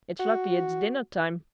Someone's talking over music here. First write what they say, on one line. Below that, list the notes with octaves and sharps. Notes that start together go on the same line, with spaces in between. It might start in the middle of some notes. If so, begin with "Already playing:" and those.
It's lucky it's dinner-time.
F#4